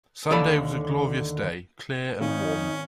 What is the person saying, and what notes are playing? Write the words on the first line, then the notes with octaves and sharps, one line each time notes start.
Sunday was a glorious day, clear and warm.
D#2 D3 A4 D5 B5
G#1 C#4 D#4